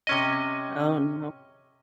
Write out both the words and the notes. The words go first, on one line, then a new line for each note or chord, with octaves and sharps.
Oh, no.
C3 C#4 D#5